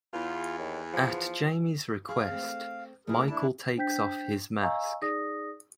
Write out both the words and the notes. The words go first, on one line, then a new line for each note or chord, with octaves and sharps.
At Jamie's request, Michael takes off his mask.
E2 F4
D#2
F3
G#4 F5
A3 C4
A3 D4 E4 G#4 A#4
D4 E4 A5
D4 C5 G5 G6 B6
D#5 F5 G#5 A#5 C#6 E6
D#4 G#4 D5 D#6 A#6